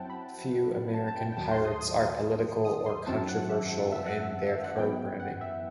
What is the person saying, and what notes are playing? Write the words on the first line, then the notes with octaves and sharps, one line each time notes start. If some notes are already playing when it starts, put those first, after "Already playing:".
Few American pirates are political or controversial in their programming.
Already playing: F#2 F#3 C4 E4 F#5 G5 A5
B5
A5
A5
G5
G5
D#2 D#3 F#3 A5
C6
D#6
C6
D#6
D#6
C6
F#2 D#3 F#3 C4 E4 A5
F#5
E5
E5
F#5
E5
E5
F#5
F#2 E3 B3 E4 G5
F#5
E5